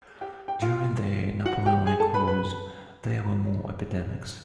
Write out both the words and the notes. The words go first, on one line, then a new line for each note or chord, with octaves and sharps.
During the Napoleonic wars there were more epidemics.
G4 G5
G4 G5
F4 F5
F#4 F#5
G4 G5
G#4 G#5
A4 A5
B4 B5
B4 B5